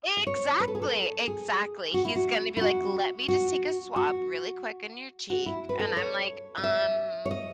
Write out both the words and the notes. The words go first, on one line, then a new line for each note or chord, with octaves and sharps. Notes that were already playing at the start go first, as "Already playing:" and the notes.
Exactly, exactly, he's gonna be like, "Let me just take a swab really quick in your cheek," and I'm like, "Um,
D#5
C#5
B4
A4
G#4
A4
G#4
F#4
E4
F#4
E4
F#4
F#4
F#4
F#4
E4
B4
A4
C#5
D#5
E5
C#5
D#5